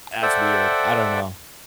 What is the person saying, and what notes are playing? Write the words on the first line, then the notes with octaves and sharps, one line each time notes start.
that's weird. I don't know.
A4 C5 D5 E5 F#5 G5